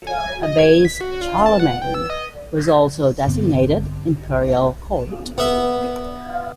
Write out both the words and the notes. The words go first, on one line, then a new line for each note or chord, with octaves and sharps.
A base Charlemagne was also designated imperial court.
G#5
D#5
G#6
B6
F#4
F4
A5
F#5
G5
E6
D#5
G2 D3 B3 C4
B3 E5